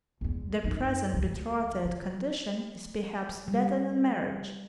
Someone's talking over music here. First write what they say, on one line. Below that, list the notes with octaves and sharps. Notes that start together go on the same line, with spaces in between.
The present betrothed condition is perhaps better than marriage.
E2 G#3
F#2 D#4
D2 G#3
F4
G3